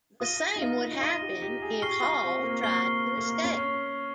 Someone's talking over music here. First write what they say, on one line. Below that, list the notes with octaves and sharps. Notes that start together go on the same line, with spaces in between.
The same would happen if Hall tried to escape.
F4 D#6 A#6 D#7 G7
D#4
F4
D#4
F4 D#6 A#6 D#7 G7
G4
G4
G#4
G4 C#6 F6 C7 G7
F4
C4
A#3
A#3 C#6 F6 C7 G7
A#3
C#4 C#6 F6 C7 G7